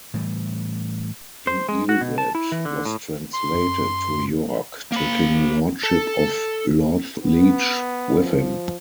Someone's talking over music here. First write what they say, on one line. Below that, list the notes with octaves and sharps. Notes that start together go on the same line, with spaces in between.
In Ealdred was translated to York, taking lordship of Lorthleach with him.
A2 E3 G3
C5
G#3
F#4
B2
A5
E4
E3
D3
A2
C6
F#2
A#3 B5
A4
B3
F3